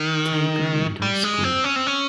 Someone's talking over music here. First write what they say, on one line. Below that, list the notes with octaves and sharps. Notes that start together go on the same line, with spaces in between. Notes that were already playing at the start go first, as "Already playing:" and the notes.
Tabor Middle School.
Already playing: D#3
G3
G#3
C4
C#4
C4
C#4